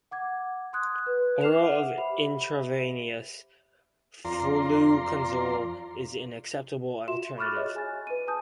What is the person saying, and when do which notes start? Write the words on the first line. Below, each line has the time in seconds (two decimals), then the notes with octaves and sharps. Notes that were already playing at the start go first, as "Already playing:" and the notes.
Oral or intravenous fluconazole is an acceptable alternative.
0.11 F#5 D6 G#6
0.73 C6 D#6 F#6 G#6
1.06 B4
1.41 D6 F6 C7 E7 F7
1.59 E5 F#5
1.98 G4 C5 E5 B5
4.25 F2 F4 D5 A#5 C6
7.07 F4 F#4 E5 C6 E7
7.38 B5 C#6 D6 F6 F#6 A6
7.56 G#4 C#5 D#5 E5
7.76 G#5 A6
8.07 B4 D#7
8.27 G#5 A5 D#6 G6